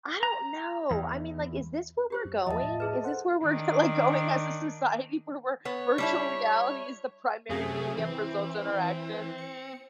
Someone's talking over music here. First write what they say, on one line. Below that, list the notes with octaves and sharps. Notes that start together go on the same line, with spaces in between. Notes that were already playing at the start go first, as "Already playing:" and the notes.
I don't know. I mean, like, is this where we're going? Is this where we're g like, going as a society where we're virtual reality is the primary medium for social interaction?
A#5
E2
F#4 G4 C5
F#2
E2 F3 D#5 E5 A5
A2
E4 G#4 B4
A4 C5 F#5
D#3 D4
B3 C#5
G3 D4 E4
F#2 C3 A3 G#4
E3 C4
C#7